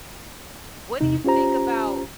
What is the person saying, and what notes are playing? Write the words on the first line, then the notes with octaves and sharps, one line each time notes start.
What do you think about
E2 C3 D#4
C#4 F4 G4 C5 A#5